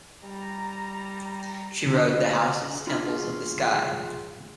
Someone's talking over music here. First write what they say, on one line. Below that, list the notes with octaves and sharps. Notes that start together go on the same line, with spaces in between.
She wrote "The Houses: Temples of the Sky".
G3 A#5
D3
D4 F4 G#4